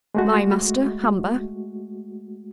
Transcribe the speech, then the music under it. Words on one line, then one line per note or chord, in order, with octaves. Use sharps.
My master, Hamper.
G#3 A3 F#4